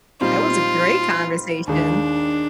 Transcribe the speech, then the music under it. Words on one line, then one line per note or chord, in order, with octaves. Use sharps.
That was a great conversation.
A#2 G3 C4 D#4 F4
D#2 D#3 G#3 D4